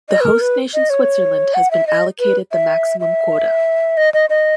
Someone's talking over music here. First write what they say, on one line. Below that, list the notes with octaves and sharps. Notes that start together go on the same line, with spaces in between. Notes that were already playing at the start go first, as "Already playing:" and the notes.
The host nation Switzerland has been allocated the maximum quota.
D#5
B4
A#4
B4
D#5
C#5
F#5
E5
D#5
B4
E5
E5
D#5
D#5
D#5